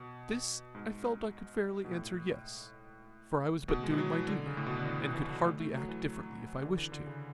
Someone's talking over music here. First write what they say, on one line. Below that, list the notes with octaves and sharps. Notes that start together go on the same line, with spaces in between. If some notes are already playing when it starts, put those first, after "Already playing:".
To this I felt I could fairly answer "yes," for I was but doing my duty, and could hardly act differently if I wished to.
Already playing: B2
G#2
B2
A2
B2
G#3
E3
F#3
E3
D3
C#3
A2
B2
D3
E3
E3
E3
F#3
A3
A3
F#3
E3
D3
E3
D3
C#3